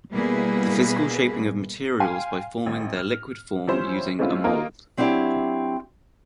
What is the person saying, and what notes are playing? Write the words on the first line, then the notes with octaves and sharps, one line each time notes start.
The physical shaping of materials by forming their liquid form using a mould.
B2 G3 A#3 E4 G#4 B4
F5 G5 G#5 C6
G#1
F6
F3 G3 C#4 E4 C5
G#3 A3 C4 C#4 E4 F4
A#3 D#4 F4 A#4
F#3 C4 D4 E4 G4